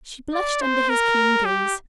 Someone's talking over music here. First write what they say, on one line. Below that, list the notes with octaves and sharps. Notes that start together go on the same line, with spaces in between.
She blushed under his keen gaze.
D5
C5
A#4
G4